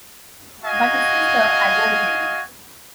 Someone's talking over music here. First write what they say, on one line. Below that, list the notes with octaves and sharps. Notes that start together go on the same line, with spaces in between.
But his sister adored him.
F#4 D#5 F5 G#5